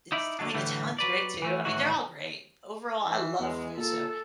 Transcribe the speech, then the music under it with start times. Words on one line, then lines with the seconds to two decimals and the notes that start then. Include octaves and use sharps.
it's I mean Italian's great too. I mean they're all great, overall I love food so,
0.12 D#4 E4 D5
0.39 D3 F#3 D4
0.54 A2 D3 E3 G3 A3
0.99 F#3 B4 D5
1.42 E3 A3
1.65 A2 D#3 E3 F#4
3.03 E3
3.39 E2 G#3
3.77 A#2 A4